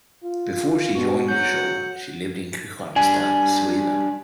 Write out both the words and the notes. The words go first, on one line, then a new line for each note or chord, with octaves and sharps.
Before she joined the show she lived in Kristianstad, Sweden.
F4
B2 B3 F#4
F#3 F#5 G6
G3 D4 G#5